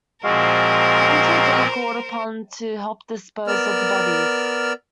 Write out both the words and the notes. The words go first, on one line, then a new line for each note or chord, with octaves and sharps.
Hunt was then called upon to help dispose of the bodies.
A#2 F3 G#3 C4 F#4 A#4 C5 F5
B3 A#4 D5 E6 F6